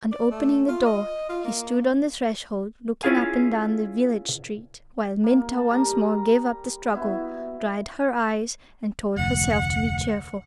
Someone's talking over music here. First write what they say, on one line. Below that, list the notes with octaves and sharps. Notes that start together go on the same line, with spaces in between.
And opening the door he stood on the threshold looking up and down the village street, while Minta once more gave up the struggle, dried her eyes, and told herself to be cheerful.
D5
A3
F4
D#5
F4
A#3
C#4 E4 F4 G#4 F5 G#5
A#3
A5
G3 A#4 A#5
B3 E4 F#4
F1 D2 F#5